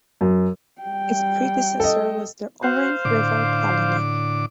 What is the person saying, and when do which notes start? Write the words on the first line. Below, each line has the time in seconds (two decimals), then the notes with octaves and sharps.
Its predecessor was the Orange River Colony.
0.21 F#2
0.81 G3 G5
1.80 A4 D#5
2.63 F#4 C5 F5
3.05 A2 D3 D6